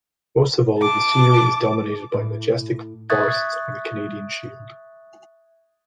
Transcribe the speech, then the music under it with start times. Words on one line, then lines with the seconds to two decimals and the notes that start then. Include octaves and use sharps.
Most of all, the scenery is dominated by majestic forests on the Canadian Shield.
0.79 A5 D6
2.14 A2
3.10 E5 C#6 D#6 F#6 G#6 A6